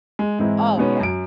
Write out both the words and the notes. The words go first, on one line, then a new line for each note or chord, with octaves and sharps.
Oh, yeah.
G#3
G#2 E3 G#3 C4 E4
B2 G#3 B3 C#4 D#4
F#2 D7